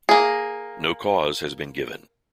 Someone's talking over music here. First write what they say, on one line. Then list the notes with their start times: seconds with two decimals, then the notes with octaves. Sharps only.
No cause has been given.
0.09 A#3 G#4